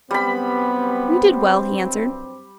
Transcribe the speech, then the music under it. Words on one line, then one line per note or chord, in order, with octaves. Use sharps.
"We did well," he answered.
G2 F#3 G3 B3 C4 B5